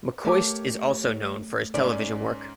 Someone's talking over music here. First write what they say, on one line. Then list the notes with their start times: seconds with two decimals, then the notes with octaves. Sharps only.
McCoist is also known for his television work.
0.25 A3 G4 A#4 C#5 F5 A5 D6
1.74 G#2 C#4 D5